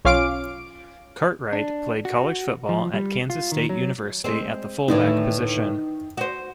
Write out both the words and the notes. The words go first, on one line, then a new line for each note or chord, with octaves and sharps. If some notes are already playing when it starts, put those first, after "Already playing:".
Cartwright played college football at Kansas State University at the fullback position.
B1 C#4 F4 F5 D6 D7
D4
F#4
F3
G3
F4
D#3
F#3
G#3 C4
D2 A2 D#3 E3
F#4 C5